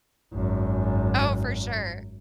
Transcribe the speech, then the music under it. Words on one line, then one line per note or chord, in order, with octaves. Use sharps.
Oh, for sure.
G#1 F#2